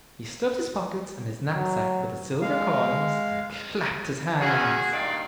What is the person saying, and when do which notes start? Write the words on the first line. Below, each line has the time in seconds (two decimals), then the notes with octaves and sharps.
He stuffed his pockets and his knapsack with the silver coins, and clapped his hands.
1.52 F#3
2.42 G#3 F5
4.41 E2 D#3 C#4 F#4 G#4
4.92 G2 A#2 D#3 D5 F5 G5